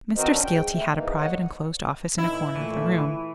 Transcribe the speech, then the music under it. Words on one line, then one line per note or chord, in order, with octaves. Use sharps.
Mr. Skeelty had a private enclosed office in a corner of the room.
E3 C4 F#4 A#4 C5 D#5
C#4 D4
G#2 G5
A3
G#2 E3 A#3 D#4
A#3 C#5 D#5 F#5
A2 E3 D#4 E4
A#2 E3 A3